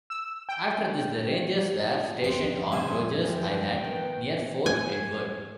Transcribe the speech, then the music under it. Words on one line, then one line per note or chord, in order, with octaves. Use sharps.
After this, the Rangers were stationed on Rogers Island near Fort Edward.
E6
G5
F3 E5
F2 B3 C4 G5
G#4 C5 E5 G#5
D#3 E3 G#3 G5
D#3 B3
G#5